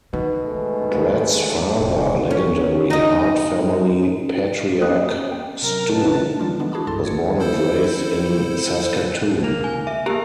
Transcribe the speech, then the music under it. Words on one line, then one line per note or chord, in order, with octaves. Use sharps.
Bret's father, legendary Hart family patriarch Stu, was born and raised in Saskatoon.
B2 D#3
G#2 G#3 A3
E1 G#2
C#4
D#4 D#5
A#3 B3 C#4 G4 D#6 F#6
G5
C3 F#3 A#4
D4 B4 D#5 A5
D3 E3 G3 D4 F4
D3 E3 G#3 B3 D4
E4 F#4 G#4 A5 B5 D6
C2 G2 A4 A5 C6 A6
G1 G#6 C#7
E4 A4 C5
A#3
G#5
E5
A#3 B3 G4 A#4